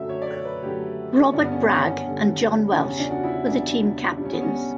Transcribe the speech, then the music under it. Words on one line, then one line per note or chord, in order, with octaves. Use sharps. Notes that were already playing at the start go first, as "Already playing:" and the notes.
Robert Bragg and John Welch were the team captains.
Already playing: F#2 D3 F#3 A3 E5
C#5
D5
C#5
B4
F#2 D3 F#3 A3 G4
C#4
G2 D3 G3 D4
B3
C#4
C#4
B3
G2 D3 G3
D4
E2 C#3 G3 C#4
D4
F#4
E4
E2 C#3 G3 D4
D4
C#2 C#3 G3 D4
C#4
B3
C#4